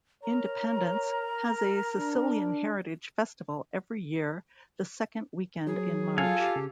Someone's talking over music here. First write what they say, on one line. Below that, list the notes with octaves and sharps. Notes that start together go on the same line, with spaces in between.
Independence has a Sicilian heritage festival every year the second weekend in March.
A#4 C#5 A#5
D4
F#3 G#4
F4 A4 F5 G#5
G4
C#3